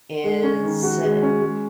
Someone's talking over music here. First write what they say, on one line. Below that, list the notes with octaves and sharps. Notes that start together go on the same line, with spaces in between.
is uh,
G#3
C#4
D#3
F#4
G#3
C#4
G#3